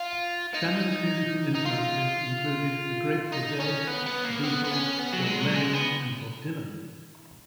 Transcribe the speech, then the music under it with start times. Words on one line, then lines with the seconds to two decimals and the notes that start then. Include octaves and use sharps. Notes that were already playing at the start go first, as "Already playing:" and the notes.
Shannon's musical influences included the Grateful Dead, The Beatles, John Lennon, and Bob Dylan.
Already playing: F4
0.54 D#4
1.55 D#4
1.66 F4
3.32 D#4
3.60 C#4
3.87 B3
4.06 B3
4.25 A#3
4.44 B3
4.64 B3
4.71 C#4
4.98 B3
5.13 F#3
5.26 G#3
5.40 F#3
5.54 G#3
5.73 B3